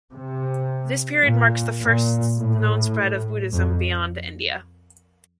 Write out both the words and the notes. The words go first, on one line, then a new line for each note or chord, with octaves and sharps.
This period marks the first known spread of Buddhism beyond India.
C3
A#2
A#2
A2
F2